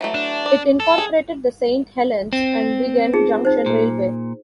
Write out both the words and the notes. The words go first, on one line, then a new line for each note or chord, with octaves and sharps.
It incorporated the Saint Helens and Wigan Junction Railway.
E3 F#3 A3
D4
D5
A4
G#4
C4
D#4 F4 G#4
D#4 C5
A#2